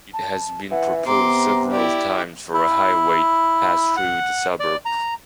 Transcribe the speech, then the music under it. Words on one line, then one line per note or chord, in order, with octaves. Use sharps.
It has been proposed several times for a highway to pass through the suburb.
A5
E3 F#5
C3 B3 A#5 C6 D6
E4 G4 D5
E4
F#5
D5
A#5